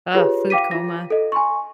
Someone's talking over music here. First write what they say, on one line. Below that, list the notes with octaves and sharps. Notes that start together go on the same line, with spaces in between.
uh, food coma.
F4 G4 G#4 B4 C#5
F5 G5 D6 B6 D#7
F4 A#6
A4 D#5
G#5 C6 C#6